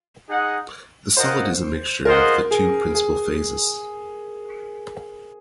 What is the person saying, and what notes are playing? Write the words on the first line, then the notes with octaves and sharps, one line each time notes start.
The solid is a mixture of the two principal phases.
D#4 G#4 D#5 F#5
F4 A#4 C5 D#5 F#5
F4 G#4 A#4 C5 D#5 F#5
G#4
G#4